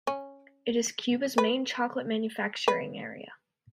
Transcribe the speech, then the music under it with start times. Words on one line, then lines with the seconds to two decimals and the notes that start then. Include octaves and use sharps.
It is Cuba's main chocolate manufacturing area.
0.07 C#4
1.38 B4
2.68 B4